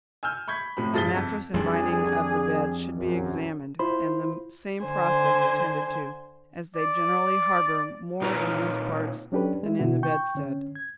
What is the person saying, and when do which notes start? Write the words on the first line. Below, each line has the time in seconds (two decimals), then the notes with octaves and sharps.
The mattress and binding of the bed should be examined, and the same process attended to, as they generally harbor more in these parts than in the bedstead.
0.23 G#5 E6 F6 G6
0.48 B5 C#6 G6 G#6 B6
0.77 A2 C3 F3 B5
0.94 G2 F3 G#4 A6 B6 G7
1.16 F2
1.54 F2 G3 D4 G#4
2.97 A#1 F#2
3.79 E4 F4 C5 B5 C6
4.85 D3 C5 G#5
6.76 D5
8.21 A#2 D#4 F4 B4 C#5 A#5
9.32 F#3 C#4 D4 G4 A4 B4
9.63 G#3 E4
9.79 B2 D3 E4 F#4
10.03 G5 C#6 G6
10.35 D3 C#4
10.75 G#6